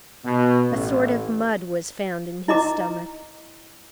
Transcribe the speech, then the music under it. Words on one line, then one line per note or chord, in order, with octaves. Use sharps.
A sort of mud was found in his stomach.
B2
A1
E4 D#5 A#5 D6